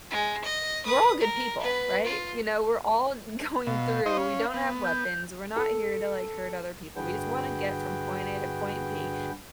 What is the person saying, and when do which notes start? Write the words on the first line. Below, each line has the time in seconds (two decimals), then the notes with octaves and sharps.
we're all good people, right? You know, we're all going through we don't have weapons, we're not here to, like, hurt other people, we just wanna get from point A to point B,
0.11 G#3
0.44 D#5
0.85 B4 D#6
1.20 A#4
1.60 B3 B4
2.05 F4
3.67 B2 F5
4.06 D#4 C5 D#5
4.17 C#4
4.54 B3
4.84 G6
5.56 A4
6.96 G2 D3 F#4 G#4 B4 G5